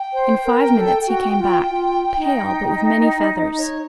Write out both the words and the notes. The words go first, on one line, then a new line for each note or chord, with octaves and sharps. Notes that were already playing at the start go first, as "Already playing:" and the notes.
In five minutes he came back - pale, but with many feathers.
Already playing: G5
C5
A#4
A4
F#4
F4
F4
D#4
C#5